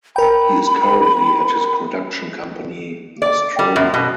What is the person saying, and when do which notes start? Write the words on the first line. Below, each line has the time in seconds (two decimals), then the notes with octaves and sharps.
He is currently at his production company "Nostromo".
0.16 A#4 G5 B5
3.22 D5
3.59 G3
3.76 F#2
3.94 B2